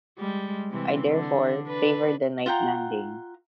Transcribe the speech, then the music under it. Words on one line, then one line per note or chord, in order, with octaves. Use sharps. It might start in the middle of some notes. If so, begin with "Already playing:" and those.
I therefore, favor the night landing.
G3 G#3
C3 E3 C4
D3 D4
D4 B4
F4 F#5 G5 A#5